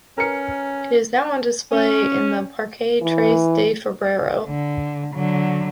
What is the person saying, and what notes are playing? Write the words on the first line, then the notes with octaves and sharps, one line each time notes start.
It is now on display in the Parque Tres de Febrero.
C#4 A#4 B4 C#7
C#4
E3
D3
D3 F#3